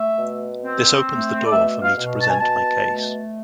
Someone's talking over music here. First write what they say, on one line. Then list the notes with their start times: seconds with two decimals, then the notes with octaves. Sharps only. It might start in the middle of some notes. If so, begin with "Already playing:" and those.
This opens the door for me to present my case.
Already playing: A3 E5
0.17 B2
0.62 C4
1.06 A3
1.45 D5
1.52 B2 E5
1.82 F5
1.96 B2
2.20 A5
2.29 G#5
2.37 B2 A5
2.86 A3